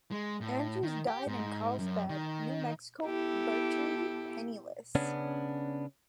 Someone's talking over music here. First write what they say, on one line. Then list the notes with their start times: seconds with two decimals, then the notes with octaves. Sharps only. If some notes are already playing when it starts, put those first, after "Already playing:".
Andrews died in Carlsbad, New Mexico virtually penniless.
0.12 G#3
0.41 A2
0.83 D#3
1.07 G4
1.27 G#2
1.79 F#2
2.09 D#3
3.05 B3 E4 G4 A4
4.95 C#3 B3 C#4 D4